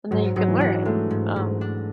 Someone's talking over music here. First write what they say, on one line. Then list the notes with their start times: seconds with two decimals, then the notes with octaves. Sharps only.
and then you could learn, um.
0.11 G#2 F#3
0.36 G#2 F#3
0.48 E3
0.61 F#3 D4
0.85 G#3 A3
1.11 G#2
1.36 G#2
1.61 D4